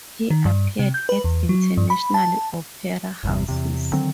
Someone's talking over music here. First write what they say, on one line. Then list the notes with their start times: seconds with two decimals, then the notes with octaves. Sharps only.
He appeared at international opera houses.
0.30 D#3
0.45 G2
0.79 C3
0.94 G6
1.09 B4
1.24 E2
1.49 F#3
1.77 G2
1.90 B5
2.14 A5
3.23 G1 E2 C3
3.48 E2 C3
3.93 D3 D#3 F#3 C4